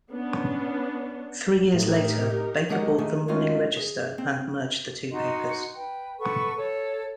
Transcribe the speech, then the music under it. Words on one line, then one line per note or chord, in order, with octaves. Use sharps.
Three years later, Baker bought the "Morning Register" and merged the two papers.
B3 C#4 D4
A2 D#4 G4 A#4
F#3 G#3 D#4 G4 A#4 F#5
D#3 A3 G4 G#4 G#5
G#3 A3 C#4 D#4 F4 F#4
G#4
C4
D#4 F#4 D#5 C6
B4 G5
A4 B4 F#5 C#6
A4 C#5